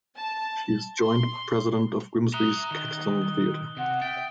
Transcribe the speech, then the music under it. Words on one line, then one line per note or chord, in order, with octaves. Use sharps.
She is joint President of Grimsby's Caxton Theatre.
A5
C6
E5 A#5 D#6 F#6 G7
D#3
C3 F#5
E5 G5 A6